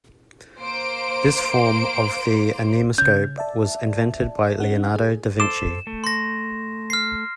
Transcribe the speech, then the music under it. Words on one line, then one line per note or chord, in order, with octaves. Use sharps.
This form of the anemoscope was invented by Leonardo da Vinci.
A#3 C5 D7
C#3 C#4 G6
D5 E5 A5
C#4 D#4 F#5
G#4
A4 C5 D6 E7
A3
C6 A#6
F6 C7